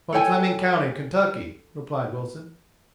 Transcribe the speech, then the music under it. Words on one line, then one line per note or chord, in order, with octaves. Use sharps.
"From Fleming County, Kentucky," replied Wilson.
A4 C#5 G5 G#5